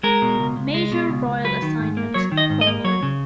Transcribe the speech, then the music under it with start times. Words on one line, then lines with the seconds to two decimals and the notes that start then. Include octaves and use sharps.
Major royal assignments followed.
0.03 G#3 A#4
0.22 B2
0.40 C#2
0.56 C#2
0.74 G#3
0.92 B2
1.10 C#2
1.26 C#2
1.44 F#3 B4
1.62 D#3
1.80 G#2
1.97 A#3
2.14 F#3 C#5
2.32 D#3
2.37 D#5
2.50 G#2
2.61 D#5
2.67 A#3
2.84 F#3 C#5
3.03 C#3